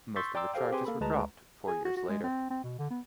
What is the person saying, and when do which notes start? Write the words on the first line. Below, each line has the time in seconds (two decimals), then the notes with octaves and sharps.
Most of the charges were dropped four years later.
0.16 C6 C#6 E6 G6 A6 B6
0.35 D5 G5 A#5 C6 D6 E6
0.54 G4 A4 C5 F5 G5
0.72 C4 G4 G#4 B4 G#5 C6
0.85 A#3 A4 B5
1.00 D2 G#3 B4 A5 A#5
1.67 G#4
1.85 F#4
1.97 F#4
2.09 G#3
2.23 C4
2.50 C4
2.63 B2
2.79 D3
2.90 B3